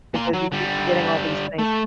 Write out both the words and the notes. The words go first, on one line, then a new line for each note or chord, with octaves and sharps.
Because you keep forgetting all these things.
A#2 C6
F#3
D3 G3
A3